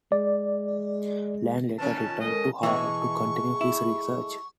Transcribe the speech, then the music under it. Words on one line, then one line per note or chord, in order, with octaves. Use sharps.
Land later returned to Harvard to continue his research.
G#3 D5
B2 D#3 C#4 A5
F4
G#3 A4 A#4 D#5
B2 E3 G#3 A3 G#4 C#6
E4